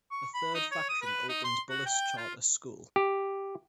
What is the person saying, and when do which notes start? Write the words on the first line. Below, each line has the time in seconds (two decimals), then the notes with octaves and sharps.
A third faction opened Bullis Charter School.
0.11 C#6
0.34 B5
0.54 D#4
0.71 C#5
0.89 D#6
1.01 B4
1.29 D#4
1.44 C6
1.70 F#4
1.86 G5
2.17 F4
2.96 G4